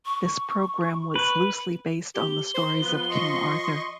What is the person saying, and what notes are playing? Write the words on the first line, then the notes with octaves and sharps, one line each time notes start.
This programme was loosely based on the stories of King Arthur.
C#6
B4
G4 G7
C5
F3 B3 B4
D#5 C6 C#6